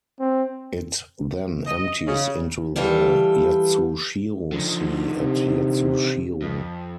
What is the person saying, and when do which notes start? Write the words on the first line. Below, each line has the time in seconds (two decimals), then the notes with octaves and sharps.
It then empties into the Yatsushiro Sea at Yatsushiro.
0.20 C4
1.67 D#5
2.07 C#3
2.76 E3 G3 F4 A4
4.52 D3 D#3 F3
5.19 C3
6.42 F2